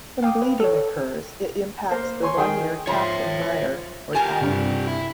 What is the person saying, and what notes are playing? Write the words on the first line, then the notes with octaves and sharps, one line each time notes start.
When bleeding occurs, it impacts the one year Kaplan-Meier mortality.
F5 G5 D6 D#6
B4
A4 C#5
A#3 A#4 C5
C#5 G#5 C6 C#6
D#3 G#4 G5
F3 C#5 E5
F4 G4 A#4 G#5 A5
G2 C3
E4